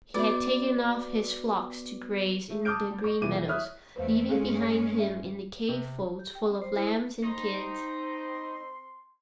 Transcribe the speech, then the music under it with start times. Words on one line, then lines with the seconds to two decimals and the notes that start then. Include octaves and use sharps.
He had taken off his flocks to graze in the green meadows, leaving behind him in the cave folds full of lambs and kids.
0.14 B3 F#4 B4 D5
2.50 A3
2.65 A5 D6 D#6 F6 G6 D7
2.90 G3
3.04 D#5 C#6
3.21 E1 A#2 E3 D6 D#7
3.48 E4 C#5 E5 D#6 F6 F#6
3.96 E2 A3 B4 C5 F5
4.29 G2 G#3 C#4 G#4 A4 F5
4.62 C#5
4.99 E5
5.68 C3
6.19 G4
6.35 G5
6.50 C4
6.62 C5
6.76 E4
7.24 C4 D#4 C6